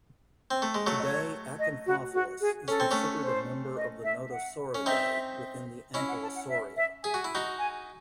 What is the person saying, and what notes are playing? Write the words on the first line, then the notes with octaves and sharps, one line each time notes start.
Today "Acanthopholis" is considered a member of the Nodosauridae within the Ankylosauria.
C4
A3
G#3
F#3 A3
D#5
C#5
D#5
F#4
F#4
G#4
C#4 A4
C4
A3 C#4
C5
D#5
E5
F#5
C#4
C4 D#4 E5
C#4 E4 D#5
F#5
A5
F#5
E5
E5
G#4 G#5
F#4
E4
D#4 F#4
G#5